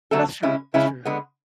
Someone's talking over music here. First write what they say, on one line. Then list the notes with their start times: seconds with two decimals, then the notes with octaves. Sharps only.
That's true that's true.
0.11 D3 F#3 A3 D4 A4
0.43 C#3 G#3 C#4 E4
0.74 C#3 G#3 C#4 E4
1.05 D3 G#3 B3